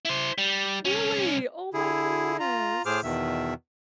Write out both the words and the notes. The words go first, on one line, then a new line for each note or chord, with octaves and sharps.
Really? Oh my goodness!
E4 C5
G3
C2 C#4
D3 E4 G#4
F4 A#5
A2 G#4 C5 D6 F6
E2 B2 D#3 E5